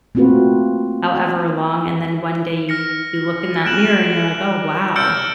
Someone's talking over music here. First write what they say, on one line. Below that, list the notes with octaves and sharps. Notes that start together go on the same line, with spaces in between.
however long, and then one day you you look in that mirror and you're like, "Oh, wow,"
A3 A#3 C4 F4 F#4 B4
F6 A#6 C#7
F6 F#6 D7 E7 F#7
E6 F6 G6 A6 C#7 D7